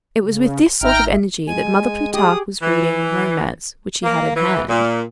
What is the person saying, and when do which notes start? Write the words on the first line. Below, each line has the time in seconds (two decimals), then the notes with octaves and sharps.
It was with this sort of energy that Mother Plutarque was reading the romance which she had in hand.
0.23 C#3
0.81 G#1 D#4 E5 G5 A#5 F6
1.47 G#3 G#5
2.14 G4 G#4 D#6
2.62 E3
4.03 A#3
4.35 E3
4.69 A#2